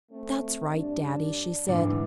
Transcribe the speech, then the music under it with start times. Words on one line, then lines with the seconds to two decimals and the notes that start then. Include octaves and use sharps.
"That's right, daddy," she said.
0.10 A3 C4
0.66 G2 D4 D5
1.69 G#2 D3 E3